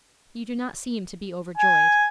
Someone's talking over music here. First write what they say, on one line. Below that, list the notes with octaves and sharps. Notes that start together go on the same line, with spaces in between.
'You do not seem to be overjoyed.'
G#5